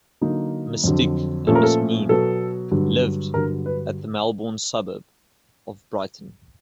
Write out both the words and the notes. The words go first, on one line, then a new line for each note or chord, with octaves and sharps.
Miss Dick and Miss Moon lived at the Melbourne suburb of Brighton.
D3 F#3 A#3 D#4
F2 D3 F#3
A#2 F3 A3 C#4 A4
A#4
A4
B2 F#3 B3 A4
G2 D3 F#3
G2 D3 F#3 A#4
B4